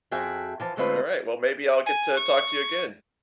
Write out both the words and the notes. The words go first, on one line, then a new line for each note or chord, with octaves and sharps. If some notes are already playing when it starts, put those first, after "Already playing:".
Alright, well, maybe I'll get to talk to you again.
F2 F3 F#4 G#4 E5 G5
E3 F3 A5
D3 G#3 A3 C4 F4 B4
G#5
C#6